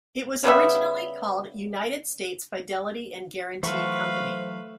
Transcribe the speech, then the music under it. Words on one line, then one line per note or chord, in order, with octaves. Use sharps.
It was originally called United States Fidelity and Guaranty Company.
C#3 G3 B3 E5
E3 F#3 A3 B4 C5 F5 F#5 C#6